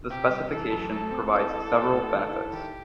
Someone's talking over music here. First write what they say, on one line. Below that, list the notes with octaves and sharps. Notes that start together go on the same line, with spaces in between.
The specification provides several benefits.
C3 G4
G3
E3 A4
F#2
A3 A4
C4
E4 A4
E4
B3
A2
D#3
E4
D#3 G4